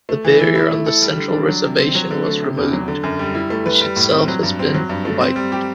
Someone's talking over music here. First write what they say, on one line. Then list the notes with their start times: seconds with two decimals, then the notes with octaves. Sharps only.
The barrier on the central reservation was removed, which itself has been widened.
0.09 A3
0.25 E3
0.40 E4
0.55 E4
0.71 A3
0.86 A4
1.02 G3
1.18 D3
1.33 D4
1.48 F#3
1.64 C3
1.79 C4
1.95 F#3
2.11 D3
2.26 A3
2.42 C3
2.57 E2
2.73 F#3
2.88 D3
3.04 F#2
3.19 G3
3.35 E4
3.50 A3
3.66 B4
3.81 G3
3.96 A2
4.12 C4
4.28 F#3
4.43 G2
4.59 C4
4.74 F#3
4.89 G2
5.05 A3
5.21 C4
5.36 G3
5.52 G4